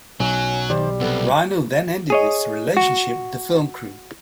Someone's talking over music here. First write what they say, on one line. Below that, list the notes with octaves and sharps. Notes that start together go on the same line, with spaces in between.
Rhino then ended its relationship with The Film Crew.
B1 F#3 C#4
D#3 G3 C5 D5
C2 B3 A4
G#4 C#5 D#5
F#4